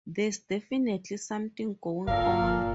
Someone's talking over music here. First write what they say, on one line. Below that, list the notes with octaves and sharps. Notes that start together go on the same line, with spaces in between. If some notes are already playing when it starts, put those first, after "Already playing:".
There's definitely something going on.
G1 A#2 A#3 A4 A#4 F5